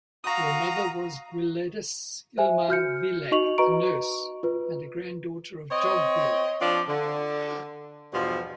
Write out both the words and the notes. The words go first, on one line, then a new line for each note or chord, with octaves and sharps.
Her mother was Gwladys Ilma Vile, a nurse, and a granddaughter of Job Vile.
F#4 F5 A#5 D#6
C5 E5 G#5
F#4 F6 G6 C#7
D#4 F#4 D#5 C#6 F7 F#7
F#4 B4 D#5 A#5 C#6 D7
F4 B4
C4 C#5 D#5
F3 C4 D4 F4 D5
D3
E2 G2 B2 F3